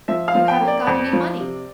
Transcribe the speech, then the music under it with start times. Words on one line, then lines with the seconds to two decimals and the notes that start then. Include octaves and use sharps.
"You haven't got any money."
0.08 F3 E5
0.28 F5
0.35 F3
0.48 G5
0.61 A#3
0.67 D5
0.87 F2
1.13 F3
1.39 C3